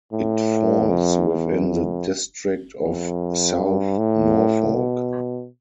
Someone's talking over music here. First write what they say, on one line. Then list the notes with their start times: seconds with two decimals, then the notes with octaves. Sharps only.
It falls within the district of South Norfolk.
0.13 A2
0.90 F2
1.28 E2
1.67 F2
2.82 F2
3.59 G2
3.98 A2
4.74 B2